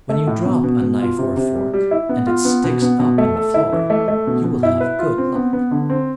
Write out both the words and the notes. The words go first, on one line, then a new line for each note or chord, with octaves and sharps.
When you drop a knife or fork, and it sticks up in the floor, you will have good luck.
A3
A2
B2
B2
B2
F4
C3
C3
G3
G3
E4
B3
F4
B3
B2
B3
B2
A3
A4
E4
E3
A3
A3
B2
B2
E4
B4
F4
C4
B3
B3
D3
C4